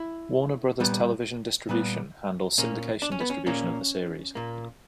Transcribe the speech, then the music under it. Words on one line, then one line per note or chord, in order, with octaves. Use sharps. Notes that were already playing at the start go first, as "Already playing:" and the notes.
Warner Brothers Television Distribution handles syndication distribution of the series.
Already playing: E4
A#2 G3 B3
A#2 G3 B3
A#2 A#3 C#4
D4
C#4
B3
C#4
A#2 A#3 C#4
A#2 A#3